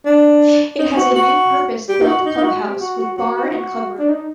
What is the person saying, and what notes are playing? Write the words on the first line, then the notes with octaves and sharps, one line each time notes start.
It has a new purpose built clubhouse with bar and clubroom.
D4
D#4
F#4
F#4
G4
D#4
F#4
D#4
D#4
F#4
G4
F#4
F#4
F#4
F#4
D#4
F#4
D4
D#4